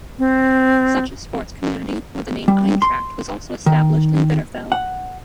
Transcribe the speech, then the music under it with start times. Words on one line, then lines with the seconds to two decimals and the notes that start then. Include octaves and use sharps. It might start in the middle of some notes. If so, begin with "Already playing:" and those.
Such a sports community with the name "Eintracht" was also established in Bitterfeld.
0.19 C4
2.48 G3
2.82 C6
3.66 D#3
4.72 F#5